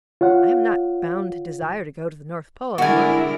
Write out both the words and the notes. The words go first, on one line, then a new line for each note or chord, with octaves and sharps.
I am not bound to desire to go to the North Pole, am I?'
F4 C#5 F5 F#5
D3 G3 G#3 E4 F#4 A#4 D5 G#5